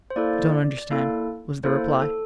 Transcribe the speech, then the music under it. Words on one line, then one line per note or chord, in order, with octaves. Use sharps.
"I don't understand," was the reply.
C5
A#3 E4 A4 D5
A#3 E4 A4
A#3 E4 A4 C5
A4